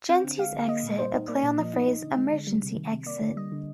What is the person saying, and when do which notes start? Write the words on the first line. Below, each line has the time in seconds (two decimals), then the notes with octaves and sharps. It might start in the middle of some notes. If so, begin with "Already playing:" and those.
Gency's Exit', a play on the phrase "Emergency Exit".
0.09 C4 G5
0.24 D3
0.38 G#3 F5
0.54 D3 F5
0.68 A#3 D#5
0.83 A#2
0.99 G3 C5
1.13 D#4
1.28 A#3 D5
1.43 A#2
1.57 F3 D#5
1.73 D#4
1.88 D#4
2.02 D3
2.17 G#3
2.33 D3
2.47 G3
2.63 C3
2.76 D#3
2.92 C3
3.06 A#3 D5
3.21 D3
3.36 G3 D#5
3.52 D3